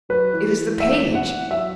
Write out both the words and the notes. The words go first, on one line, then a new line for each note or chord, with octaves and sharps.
It is the page!
F#3 B4
E3
E3
E5
F#5
F#3 E5